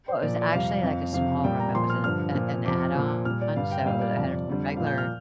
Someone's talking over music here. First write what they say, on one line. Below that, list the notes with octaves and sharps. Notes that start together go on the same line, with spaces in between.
Oh, it was actually, like, a small room, it was an, uh an add-on, so it was it had just a regular,
C5
A#2 F3 D5
D5
F2 C3 G3 F5
F2 F3
F2 C3 F3 F5
A#2 G3 G5
A#5
A#2 F3 C6
F6
G2 D3 F3 F6
A#2 F3
F2 C3 F3 D6
A#2 F3
A#2 G3 F6
D5
G2 D3 G3 F5
G5
A#2 G3 F5
D5
F2 C3 F3
F2 D3 G3
A#2 F3 F5
G6
F6